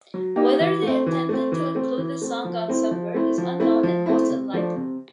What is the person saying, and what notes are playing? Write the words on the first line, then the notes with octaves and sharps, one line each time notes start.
Whether they intended to include the song on "Suffer" is unknown and most unlikely.
F#3
A#3 D#4 G4
E3
A3 C4
E3
A3 C4
E3
A3 C4
E3
A3 C4
F3
A3 C4 E4
F3
A3 C4 E4
F3
A3 C4 E4
F3
A3 C4 E4
C3
F3 A3 D4
C3